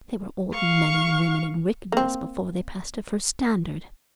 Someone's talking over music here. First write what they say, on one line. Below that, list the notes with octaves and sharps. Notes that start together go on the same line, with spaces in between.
They were old men and women in wickedness before they passed their first standard.
F5 C#6
A#3 C4